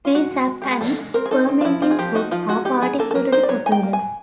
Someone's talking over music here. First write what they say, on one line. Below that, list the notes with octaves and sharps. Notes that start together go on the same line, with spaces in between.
Tree sap and fermenting fruit are particularly popular.
F4
G#3 F#4
G#3
G#3
G#3 G4
G#4
F3 A4
G#3
C4 A#4
G#4
D#4 A4
C4
F4
F3 E4
C4 F4
G#4
F3 G4
D#4 F#4
F3 F4
G#3 F#4
D#4 G4
F#3 G#4
A#3 A4
A4
F#3 A#4
D#4 C5
D5
F#3 C#5
D#4 G#5
G5
A#3
G#5
F#3